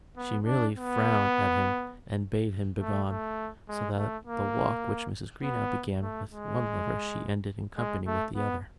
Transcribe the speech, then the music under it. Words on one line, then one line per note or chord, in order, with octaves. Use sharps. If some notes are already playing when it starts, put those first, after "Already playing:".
She merely frowned at him, and bade him begone, so that the walk which Mrs. Greenow began with one lover she ended in company with the other.
B3
D4
B3
A3
A3
G#3
A3
A#3
B3
A3
G#3
G#3
A3
B3